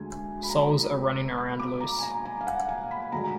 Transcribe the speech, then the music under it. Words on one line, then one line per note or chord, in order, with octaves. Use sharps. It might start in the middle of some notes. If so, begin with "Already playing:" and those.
Souls are running around loose.
Already playing: D2 D3 G#3 G#5
B5
A#5
B5
D6
A#5
G#5
A#5
G#5
F5
F#5
G#5
B5
D2 D3 G#3 D4 A#5